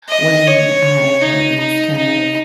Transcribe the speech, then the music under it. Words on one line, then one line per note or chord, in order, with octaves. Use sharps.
when I was kind of
D#5
C#5
D#4
D#4
D#4